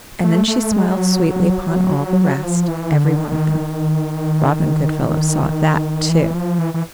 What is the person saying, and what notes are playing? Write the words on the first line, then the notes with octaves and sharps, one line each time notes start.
And then she smiled sweetly upon all the rest, every one of them. Robin Goodfellow saw that, too.
A3
A3
G#3
F#3
F3
E3
D3
D#3
D3
D#3
E3
F3
E3
E3